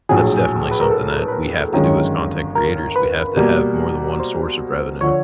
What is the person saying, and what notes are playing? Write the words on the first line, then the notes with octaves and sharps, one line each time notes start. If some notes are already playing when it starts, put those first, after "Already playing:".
that's definitely something that we have to do as content creators. We have to have more than one source of revenue.
A#1 A2 F#3 G#4
B4
A#4
A4
B4
A#4
G1 F#2 D#3 G#3 C#4
A#4
B4
B2 G3 A#3
C5
D3 F3 C#5